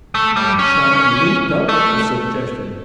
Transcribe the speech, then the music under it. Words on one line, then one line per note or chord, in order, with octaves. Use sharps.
Moncharmin leaped up at the suggestion.
A3
G3
C#4
A3